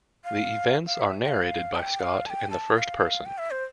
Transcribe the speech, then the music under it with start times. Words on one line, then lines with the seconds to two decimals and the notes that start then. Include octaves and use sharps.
The events are narrated by Scott in the first person.
0.25 F5
0.87 F5
1.00 E5
1.25 G5
1.28 F5
1.75 A5
1.79 G5
2.00 F5
2.26 A5
2.30 G5
2.50 A5
2.76 F5
3.26 G5
3.38 E5
3.51 C5